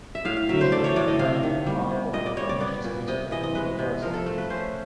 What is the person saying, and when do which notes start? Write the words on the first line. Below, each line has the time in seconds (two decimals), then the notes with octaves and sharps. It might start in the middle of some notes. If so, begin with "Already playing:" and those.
He is greedy, conniving, and vulgar, and usually speaks with a hillbilly accent.
0.15 E5
0.25 A2 F5
0.37 F5
0.49 F#3 E5
0.61 C5
0.72 A3 D5
0.84 C#5
0.96 A2 D5
1.08 D#5
1.19 C3 F5
1.43 D#3
1.66 G3
1.91 C3
2.13 A#2 D#5
2.26 D5
2.37 G3 C#5
2.49 D5
2.61 B3 D5
2.84 A#2
3.08 C3 D#5
3.31 E3 D#5
3.43 D#5
3.55 G#3 B4
3.79 C3
4.02 F3 A#4
4.14 A4
4.26 A3
4.38 B4
4.50 C#4 C5